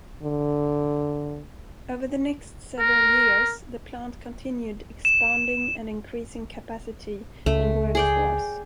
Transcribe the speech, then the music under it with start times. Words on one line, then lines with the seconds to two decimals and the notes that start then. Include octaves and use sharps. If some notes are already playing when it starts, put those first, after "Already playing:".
Over the next several years the plant continued expanding and increasing capacity and workforce.
0.23 D3
2.79 A#4
5.05 E7
7.46 C#2 A3
7.95 G#4 D5 G5